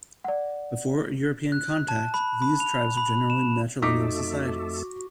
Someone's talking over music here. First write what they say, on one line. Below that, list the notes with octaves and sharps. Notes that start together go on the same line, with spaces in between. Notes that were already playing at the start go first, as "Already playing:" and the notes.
Before European contact these tribes were generally matrilineal societies.
D5 F#5
F#6
A5
B5
B5
F7
B5
E7
F2 A3 D#4 F#4 A4 D6 B6